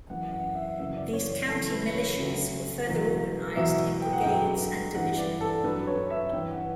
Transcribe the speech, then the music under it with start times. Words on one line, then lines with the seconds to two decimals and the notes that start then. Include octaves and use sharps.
These county militias were further organized in brigades and division.
0.10 F#2 E3 F#5
0.33 F#5
0.55 E5
0.78 F#2 C#3 E3 E5
0.96 D5
1.13 C#5
1.31 C#5
1.48 F#2 C#3 E3 A4
1.72 B4
1.95 C#5
2.17 D2 C#3 F#3
2.87 E2 B2 F#3
3.56 E2 B2 F#3 E5
4.02 G5
4.13 F#5
4.24 G2 D3 F#3 G5
4.95 G2 E3 F#5
5.18 D5
5.41 A4
5.64 G2 F#3 B4
5.87 C#5
6.10 E5
6.33 G2 E3 G5
6.51 F#5